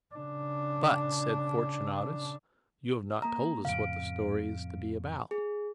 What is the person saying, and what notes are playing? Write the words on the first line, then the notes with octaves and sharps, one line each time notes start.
"But," said Fortunatus, "you have not told us what the story is to be about."
C#3 D4
A#3 A#5
F2 A2 C#3 F5 D7
G#4